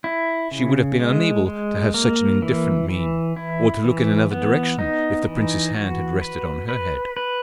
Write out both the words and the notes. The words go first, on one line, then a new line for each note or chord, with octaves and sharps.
She would have been unable to have such an indifferent mien, or to look in another direction if the prince's hand had rested on her head.
E4
C#3
G#3
G#3
A#3
E3
E3
E4
E3
B3
D#4
E3
F#4
B4
B4
B4